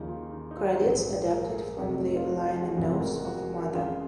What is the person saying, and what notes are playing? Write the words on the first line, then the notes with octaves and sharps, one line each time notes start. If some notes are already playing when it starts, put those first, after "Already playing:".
Credits adapted from the liner notes of "Mother".
Already playing: D#2 C#3 F3 A#3 C#4 D#4
F4
D#4
D#4
F4
A#1 G#2 F#3 G#4
G#4
A#4
G#4
F1 F2 C3
F4
F#4
F4
F#4
G#4
F#4
F#1 F2 C3 F3 G#3 F4
F#4
A#4
F#4
F#4
G#4
A#4
F2 C#3 F3 G#3 C#4 F4